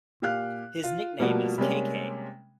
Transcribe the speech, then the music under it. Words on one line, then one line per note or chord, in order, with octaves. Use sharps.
His nickname is K-K.
A#2 G4 F5 F#6
F4
B2 F3 G3 A3 A#3 F#4
C3 G3 G#3 A#3 C4 C#4